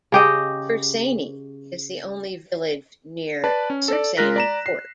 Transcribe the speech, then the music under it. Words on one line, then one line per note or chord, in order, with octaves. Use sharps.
Bersaini is the only village near Sersaini Fort.
C#3 G4 D#5
B4 D5 A5
C#4
A4 D5
G#3 F4 A#4 F#6 A#6 B6
D5 A#5 E7
C7